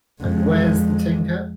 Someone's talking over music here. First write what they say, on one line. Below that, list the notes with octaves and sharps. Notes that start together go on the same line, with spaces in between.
And where's the tinker?
F2 G#3